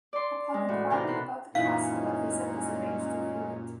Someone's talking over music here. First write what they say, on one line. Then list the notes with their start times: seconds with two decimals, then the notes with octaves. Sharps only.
Upon enquiring about the castle, a visit was arranged to view it.
0.13 D5 C6
0.54 G#3
0.68 A2 E3 F#4
0.90 C3 E3 A#4
1.07 B2 A4 B5 C6 F#6
1.55 F#2 A#2 E3 G#3 C#4 D#4 C#5 F5